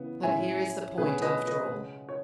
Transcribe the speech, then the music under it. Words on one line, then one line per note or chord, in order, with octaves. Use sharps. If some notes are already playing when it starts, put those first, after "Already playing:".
But here is the point, after all.
Already playing: C#3 E3 B3
A2 G#3 C#4 E5 G#5
B2 F#3 A3 C#4 G#4 B4
B4 D#5
B4 D#5
C#3 G#3 C#4
C#5